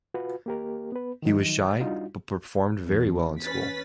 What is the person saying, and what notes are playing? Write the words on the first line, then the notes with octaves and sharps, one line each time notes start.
He was shy, but performed very well in school.
F4 F#4 B4
A#3 G4 A#4
B3 B4
D#3 F3 F#3 D#4
G3 D4 D#4 F4 F#4
E2
C#4 B4 A6 B6